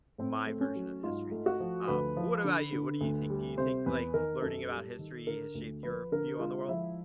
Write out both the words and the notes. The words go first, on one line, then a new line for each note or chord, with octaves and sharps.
my version of history, um, what about you, what do you think, do you think, like, learning about history has shaped your view on the world?
A2 C4
A3
C#4
F#3
G#2 F4
A3
F#4
F3
D2 B4
F3
D3
D3
D2
G3
C3 C5
E2 B4
D#3 A#4
F#2 A4
G3
D#3
D3 A#4
D2
F3 B4
D3 A#4
G#3 F4
F3 E4